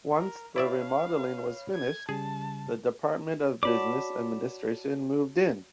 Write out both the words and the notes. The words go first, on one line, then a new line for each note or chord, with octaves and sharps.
Once the remodeling was finished, the Department of Business Administration moved in.
A#4
E4 C#5 D5 E5 F5 B5
G#6
C#3 G3 G#4 A5
F#4 C#5 D5 A5 B5 D6